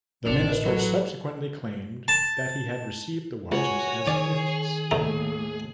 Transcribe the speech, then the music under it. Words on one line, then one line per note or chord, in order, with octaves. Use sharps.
The minister subsequently claimed that he had received the watches as gifts.
A1 C4 D4 C#7 F7
B4 D#5
F#3 A4 B4
A5
C#2 F#4 C#5 G#5
D#3 G#4 D5
D#2 A2 D3 A3 D#4